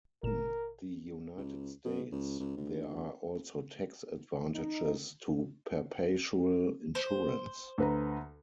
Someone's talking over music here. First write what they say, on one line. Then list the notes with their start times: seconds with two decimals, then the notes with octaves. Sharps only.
In the United States, there are also tax advantages to perpetual insurance.
0.23 G1 A#2 A#4 E7
1.38 C#2
1.84 B2
2.12 C#2
2.40 C#2
2.57 D2
4.55 D#4
6.95 C5
7.78 D2 B4 A#5